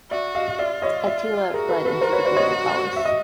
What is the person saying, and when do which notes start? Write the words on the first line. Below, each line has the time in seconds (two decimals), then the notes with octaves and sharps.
Attila fled into the greater Gauls.
0.11 F#4 D5 E5
0.35 D#5 F5
0.59 F4 D5 E5
0.82 C#5 D#5
1.06 D5 E5
1.54 F#4 G#4 A#4
1.69 A4 B4
1.85 A4 B4
2.01 A#4 C5
2.13 B4 C#5
2.25 C5 D5
2.37 C#5 D#5
2.96 E5
3.05 D#5